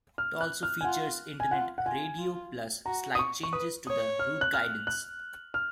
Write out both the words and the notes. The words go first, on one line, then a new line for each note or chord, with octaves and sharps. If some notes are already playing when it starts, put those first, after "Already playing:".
It also features internet radio plus slight changes to the route guidance.
F6
F#6
F6
G#5
F4 F#5
G#5
F4 F#5
F#5
F4 G#5
F4
F#4 A#5
D#6
C#6
C#6
B4 D#6
C#5 D#6
F6
F#6
F6
F#6
F6